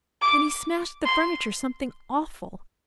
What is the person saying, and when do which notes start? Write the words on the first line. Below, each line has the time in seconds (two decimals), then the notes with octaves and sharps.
Then he smashed the furniture something awful.
0.22 D6
1.05 C6